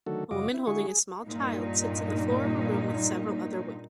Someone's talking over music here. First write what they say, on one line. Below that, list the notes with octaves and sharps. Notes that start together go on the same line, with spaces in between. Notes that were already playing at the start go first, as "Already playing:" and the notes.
A woman holding a small child sits in the floor of a room with several other women.
D3 D#3 F#3 A3 F#4 A4
F#2 C#3 F4 F#4 D#5 D6
E4
D3 G#3 E4 F#4 G#4 C#6
G#4
G2 A#2 D#4